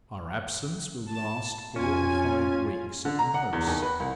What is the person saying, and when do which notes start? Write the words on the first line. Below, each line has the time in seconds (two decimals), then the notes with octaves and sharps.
Our absence will last four or five weeks at the most.
1.09 A5
1.76 F2 C#4 F4 G#5
3.05 D3
3.19 A#5
3.34 F#5
3.53 E2
3.67 D#2
3.82 B4
4.00 C2